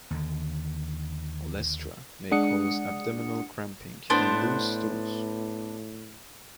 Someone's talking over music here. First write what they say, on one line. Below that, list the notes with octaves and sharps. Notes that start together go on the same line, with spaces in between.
Olestra may cause abdominal cramping and loose stools.
D#2 D3
G#3 D4 F#5 D#6 C#7
A2 B3 D4 C5